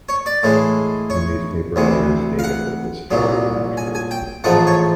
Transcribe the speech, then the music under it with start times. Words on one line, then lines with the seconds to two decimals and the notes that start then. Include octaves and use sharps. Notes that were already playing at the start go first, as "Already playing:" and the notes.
The newspaper later stated that this story was untrue.
0.09 C#5
0.26 D5
0.43 A2 E3 G#3
1.10 C#5
1.76 D2 C3 E3
2.39 F5
2.44 F#5
3.11 C2 A#2 F#3
3.77 G#5
3.95 G#5
4.11 G5
4.44 A1 G#2 F3 A3 F#5
4.67 C#5